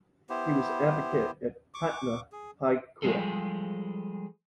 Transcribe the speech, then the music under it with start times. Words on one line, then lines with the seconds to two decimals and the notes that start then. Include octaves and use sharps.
He was Advocate at Patna High Court.
0.30 B3 E4 G4 C5
1.74 C#6 D6
2.32 G#4
3.02 F3 G3 G#3 G#4 A4